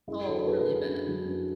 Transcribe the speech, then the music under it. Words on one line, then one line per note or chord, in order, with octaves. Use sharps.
all really bad.
F#2 E4 G#4
D3 F#3 F#4 A4
F#2 G#4 B4
G#4 B4
D3 F#3
F#2
D3 F#3
F#2